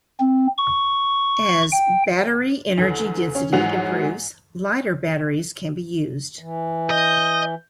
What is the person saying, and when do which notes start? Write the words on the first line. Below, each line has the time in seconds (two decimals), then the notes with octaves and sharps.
As battery energy density improves lighter batteries can be used.
0.20 C4
0.58 C#6
1.72 G5
2.78 E2 D3
3.35 C#4
3.52 G#2 E3 F#3 F#5 F7
6.39 E3
6.91 D#5 G6